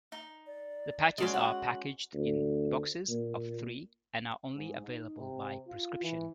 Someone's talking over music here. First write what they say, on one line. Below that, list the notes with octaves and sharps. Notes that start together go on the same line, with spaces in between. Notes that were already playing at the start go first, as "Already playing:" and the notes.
The patches are packaged in boxes of three and are only available by prescription.
D#4
D5
G#3 C#4 F#4 D5 A5 C6
F#5
D2
A#2
G#2
D#4
C3
F4
E3